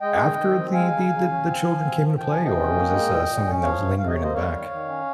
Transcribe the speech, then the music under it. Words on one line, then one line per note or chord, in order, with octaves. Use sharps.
after the the the the children came into play or was this, uh, something that was lingering in the back?
G#3 D#5 G5
D#3
D#3
C4
G#3 F5 G#5
C#3
C#3
C#4
C4
F3
C4
F3
F3 G5
G#5
C3
D#5 G5
C#4
A#3
G#3
A#2
A#2
C#4
F3 C#5 F5
C3
C3 F5
D#5
A#3 C#5
C5 D#5
G3 C#5 F5
D#3
D#3
C#4